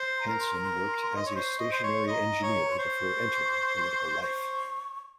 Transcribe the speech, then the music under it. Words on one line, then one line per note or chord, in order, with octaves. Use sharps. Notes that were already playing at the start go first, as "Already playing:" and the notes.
Hansen worked as a stationary engineer before entering political life.
Already playing: C5
C6
A#5
A#4
C6
A#5
C6
D#5
C#5
C5 C#6
D#5
C5 C6
C#5
D#5 A#5 C6
C#5
C6
C5 C#6
C5 C#6